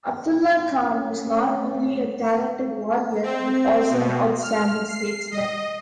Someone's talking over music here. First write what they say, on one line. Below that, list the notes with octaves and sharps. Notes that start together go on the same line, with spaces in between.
Abdullah Khan was not only a talented warrior, but also an outstanding statesman.
A3 C#4
C4
B2
F6
C7
D#5